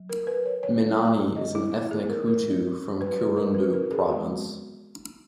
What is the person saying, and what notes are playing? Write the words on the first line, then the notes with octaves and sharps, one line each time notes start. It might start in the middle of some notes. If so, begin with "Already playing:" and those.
Minani is an ethnic Hutu from Kirundo province.
Already playing: F#3
A#4
B4
C#5
C#5
F#3 A#3 C#4
D#5
E4
E4
E3 G#3 B3 G#4
A#4
A#4
F#3 C#4 B4
B4
A#4
B4
A#4
G#4
E3 G#3 B3 F#4